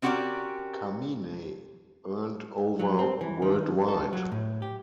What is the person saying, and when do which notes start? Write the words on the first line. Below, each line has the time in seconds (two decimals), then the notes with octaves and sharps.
"Kaminey" earned over worldwide.
0.02 C4 C#4 F#4 G4 A#4 D5
2.79 F#3
2.99 C4
3.21 E3
3.42 D#3
3.88 A4
4.13 F#3
4.32 A2
4.62 G4